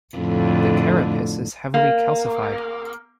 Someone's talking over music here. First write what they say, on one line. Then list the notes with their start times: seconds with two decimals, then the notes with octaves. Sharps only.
The carapace is heavily calcified.
0.18 F2 A2 D3
1.74 A#3